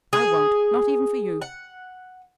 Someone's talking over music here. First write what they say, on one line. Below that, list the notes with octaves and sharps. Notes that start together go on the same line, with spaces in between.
I won't, not even for you.
G#4
F#5